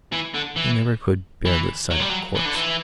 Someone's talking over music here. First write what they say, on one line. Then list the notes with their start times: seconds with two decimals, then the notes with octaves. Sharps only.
He never could bear the sight of a corpse.
0.13 E3
0.34 D3
0.57 E3
1.45 E3
1.91 F#3
2.00 G3
2.09 F#3
2.35 E3
2.45 D3
2.54 E3